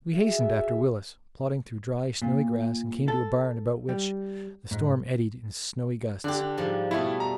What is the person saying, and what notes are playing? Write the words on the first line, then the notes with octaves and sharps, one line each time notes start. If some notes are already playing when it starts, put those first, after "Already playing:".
We hastened after Willis, plodding through dry, snowy grass, and came to a barn about which the storm eddied in snowy gusts.
F#4 G#4 E5
A#2
A4
G3
G#2
D3 D4 G4
D4
G#2 F3 G3
B2 G3 A3 E4
A#5